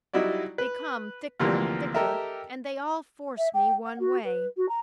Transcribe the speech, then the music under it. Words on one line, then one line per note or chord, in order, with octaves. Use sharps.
They come thicker and thicker, and they all force me one way.
F#3 G3 D#4 E4 F#4 D5
B4
D2 C3 E3 F3 A#3
G4 A4 A#4 D#5 E5
E5
G5
F#5
F#4
B4
F#4
A#5